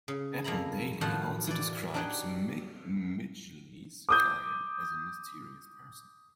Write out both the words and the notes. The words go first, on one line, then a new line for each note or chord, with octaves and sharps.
Apple Daily also describes Midgley's client as a 'mysterious person'.
C#3
F2 A#3 E4 A#5 B5
A2 D#3 F3 F#4
E3 D5
D4 D#4 F#4 G4 G5 G#5
D6 D#6 G6